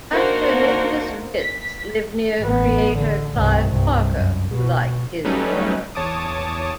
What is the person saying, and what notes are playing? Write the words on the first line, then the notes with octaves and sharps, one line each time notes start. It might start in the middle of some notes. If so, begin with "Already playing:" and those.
Actor Nicholas Vince lived near creator Clive Barker, who liked his work.
A#3 D4 D#4 F#4 A#4 C5
B6
A1 B3
D3
C2 G2
C2 G2
F#2
B2
F#3 G3 A3 C#4 D#4 B4
E2 C#5 A5 D6 D#6